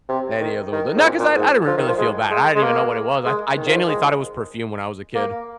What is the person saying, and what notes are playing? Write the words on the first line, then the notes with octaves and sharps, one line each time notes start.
Any of them, wel not 'cause I I didn't really feel bad, I didn't even know what it was, I I genuinely thought it was perfume when I was a kid,
C3
D#3
D#3
G#2
A#2
A#2
G#2
F3
D#3
F3
G#3
G#3
G#3
A#3
G#3
D#3
F3
D#3
G#3
A#3